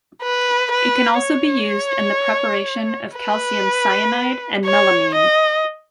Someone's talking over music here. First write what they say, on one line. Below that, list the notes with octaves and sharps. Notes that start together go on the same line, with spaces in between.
It can also be used in the preparation of calcium cyanide and melamine.
B4
B4
C#5
B4
C#5
D#5